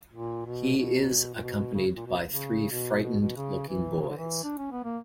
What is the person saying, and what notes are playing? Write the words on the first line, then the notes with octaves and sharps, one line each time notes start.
He is accompanied by three frightened-looking boys.
A#2
B2
B2
A#2
B2
C#3
A#2
B2
C#3
B2
B2
B2
C#3
E3
C#3
D3
E3
D4
C#4
B3
A#3